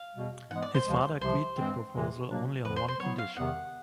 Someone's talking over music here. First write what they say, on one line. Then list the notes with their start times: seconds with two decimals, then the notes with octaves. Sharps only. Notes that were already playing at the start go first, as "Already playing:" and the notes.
His father agreed the proposal only on one condition.
Already playing: F5
0.14 E2 B2 G3
0.50 G#2 E3 G#3 B3 F#5
0.62 D5
0.74 C5
0.86 D#2 C#3 F3 G#3
1.21 C2 C3 F3 C5
1.57 G2 E3 G#3 C4
1.93 E2 C3 E3 G#3
2.29 B2 F#3 A#3 D4
2.65 F2 D3 F3 B4
2.76 C5
2.88 C5
3.00 F#3 B3 E4 C#5
3.18 F5
3.36 E2 C3 D#3 G3 B3 F#5